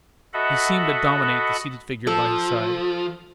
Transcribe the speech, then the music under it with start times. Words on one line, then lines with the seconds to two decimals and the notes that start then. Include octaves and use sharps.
He seemed to dominate the seated figure by his side.
0.33 F#4 A4 D#5 E5 F#5 B5
2.07 F3 A4